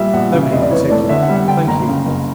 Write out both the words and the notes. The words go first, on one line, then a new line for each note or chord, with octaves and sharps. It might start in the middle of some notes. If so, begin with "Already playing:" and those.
"Nobody in particular, thank ye."
Already playing: A#1 G3 E5
A#1 F#5
C#3 F5
E5
F1 D#5
D5
E3 C#5
A3 D5
D3 E5
F#5
G3
F#5
D3 G5
F#1 A#5
C#3
F#1